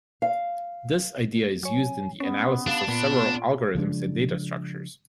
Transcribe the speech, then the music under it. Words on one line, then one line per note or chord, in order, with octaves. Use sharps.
This idea is used in the analysis of several algorithms and data structures.
F5
F#3 C#5 G#5
B3 C#4
D4 G4 F5
A#2 B3 F4
C#3 F3 G#3 D4